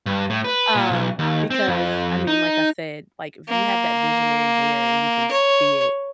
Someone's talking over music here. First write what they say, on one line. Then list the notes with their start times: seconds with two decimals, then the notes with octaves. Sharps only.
um, because I mean, like I said, like, if you have that visionary there and you can s see it,
0.06 G2
0.30 A2
0.44 B4
0.75 A#2
0.91 B1
1.19 D#2
1.51 C4
1.67 F2
2.27 D#4
3.49 A#3
5.32 C#5